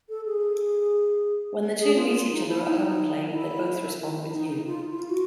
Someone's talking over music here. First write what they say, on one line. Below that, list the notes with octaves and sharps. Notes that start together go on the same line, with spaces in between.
When the two meet each other at home plate, they both respond with You!
A4
G#4
G#4
F4
F4
D#4
E4
D#4
E4
D#4
D#4
F4
E4
F4
F#4